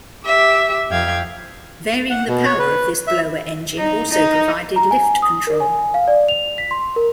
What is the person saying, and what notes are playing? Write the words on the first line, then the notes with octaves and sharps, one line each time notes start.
Varying the power of this blower engine also provided lift control.
G4 E5 D6
F2 F5 G5 G#6
F#5
B2
C#5
B4
E5
D#4
D#4
A#5
G#5
D#6
A#4
G#5
F5
D5
F7
B6
C6
A#4